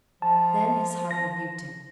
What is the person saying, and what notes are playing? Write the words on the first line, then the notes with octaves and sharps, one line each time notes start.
Then his heart rebuked him.
F3 A5
A#6